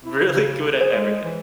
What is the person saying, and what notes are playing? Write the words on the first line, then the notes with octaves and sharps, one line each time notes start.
really good at everything.
E4
C#3
G#4 C5
G#3
E3